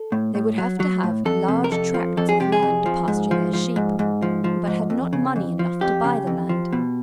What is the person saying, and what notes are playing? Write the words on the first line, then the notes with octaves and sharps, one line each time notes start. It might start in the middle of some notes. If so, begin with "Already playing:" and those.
They would have to have large tracts of land to pasture their sheep, but had not money enough to buy the land.
Already playing: A4
A2
A2
F#3
F#3
A2
F2 A4
C3
A#4
F2 A4
F3
F2 A4
G#4
C3 G4
G#4
F2
F3
G#2
F3
F3
G#2
G#2
F3
F3
G#2
F2
C#3
F2
F3
F2 G4
C#3
F2
F3
B2